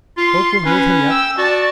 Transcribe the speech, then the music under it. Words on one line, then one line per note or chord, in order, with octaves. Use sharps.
"Folk will hear of him yet."
F4 C6
C#4 B4
G5 E6
F#4 D5 A5